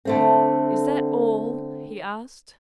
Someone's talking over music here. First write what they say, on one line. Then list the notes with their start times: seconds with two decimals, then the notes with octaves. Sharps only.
"Is that all?" he asked.
0.05 D3 A3 C4